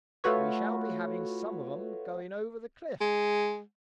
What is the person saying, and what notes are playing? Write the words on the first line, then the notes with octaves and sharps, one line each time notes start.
We shall be having some of 'em going over the cliff.
A3 F4 F#4 B4 C#5
G#3